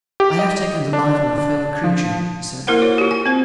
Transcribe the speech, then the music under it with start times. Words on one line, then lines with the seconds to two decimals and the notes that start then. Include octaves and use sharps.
"I have taken the life of a fellow-creature," he said.
0.20 G4
0.39 D#5
0.93 D4
1.38 D4
1.84 F3
2.67 A#3 E4 A#4 C5 F#5
2.82 F#4 C#5
2.98 F4 G4
3.11 G#5
3.26 C4 C5